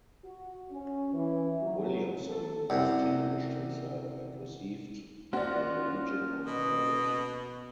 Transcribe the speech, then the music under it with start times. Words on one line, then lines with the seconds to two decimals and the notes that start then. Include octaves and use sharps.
Williamson distinguished himself and received the Legion of Merit.
0.24 F#4
0.71 C#4
1.13 E3
1.61 F#3
2.28 A4
2.70 C2 F#2
5.33 A#3 C#4 F4 F#4 C5 D5
6.46 B2 D#5